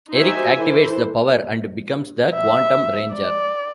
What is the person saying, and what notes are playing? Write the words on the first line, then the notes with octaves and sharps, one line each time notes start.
Eric activates the power, and becomes the Quantum Ranger.
D#4 F#4 G4 C5 E5 G#5
E3 E4 A4 C5
E5
D5